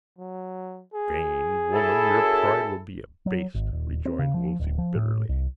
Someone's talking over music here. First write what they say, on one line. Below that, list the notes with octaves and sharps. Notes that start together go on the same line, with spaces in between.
"Vain woman, your pride will be abased," rejoined Wolsey bitterly.
F#3
G#4
F#2 E4 A4
F#3
G#1
D#1
C4
C#3
F3
D1
F3
A2
C2